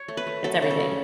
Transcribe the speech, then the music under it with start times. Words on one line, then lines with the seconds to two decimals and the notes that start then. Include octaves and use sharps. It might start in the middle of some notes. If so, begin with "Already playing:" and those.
it's everything.
Already playing: C#5
0.08 A3
0.17 B4
0.27 A3
0.44 F#3 A4
0.62 C#3
0.71 A4
0.80 C#3